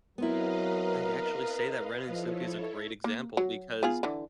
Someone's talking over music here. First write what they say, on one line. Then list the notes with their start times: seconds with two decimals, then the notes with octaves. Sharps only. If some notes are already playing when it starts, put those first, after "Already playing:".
I'd actually say that Ren& Simpy is a great example because
0.18 F#3 B3 C4 E4 A#4 B4 D#5 F5
2.10 F3 E4 A4 C#5
3.04 A#3
3.37 F#3
3.83 B3 F4 G#4
4.03 D3 E3